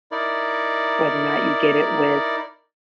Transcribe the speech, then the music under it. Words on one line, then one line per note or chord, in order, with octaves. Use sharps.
whether or not you get it with
D#4 E4 A#4 D5